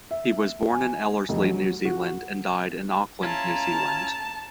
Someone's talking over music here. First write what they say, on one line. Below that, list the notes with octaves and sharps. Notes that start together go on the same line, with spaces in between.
He was born in Ellerslie, New Zealand and died in Auckland, New Zealand.
E5
G#5
F1
F#3
F#4
C#4 E4 F4 A5 A#5